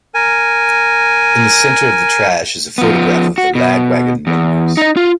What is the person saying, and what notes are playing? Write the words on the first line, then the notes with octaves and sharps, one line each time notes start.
In the center of the trash is a photograph of the Lagwagon members.
A#4 G#5
F3 B3
F#4
B2
E2
D#4 D#5
F4